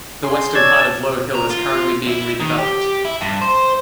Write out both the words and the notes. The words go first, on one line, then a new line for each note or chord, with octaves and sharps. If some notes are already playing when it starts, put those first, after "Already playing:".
The western part of Low Hill is currently being redeveloped.
G#4 C6
C#5 D5 A5 E6 G#6
A#5
F4
E4
D#3
G4
E4
G2
C5